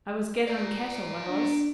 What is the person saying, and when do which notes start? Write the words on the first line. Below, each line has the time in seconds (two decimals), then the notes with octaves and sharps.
I was gatherin' cattle, I was.
0.47 D5 A#5
1.28 D4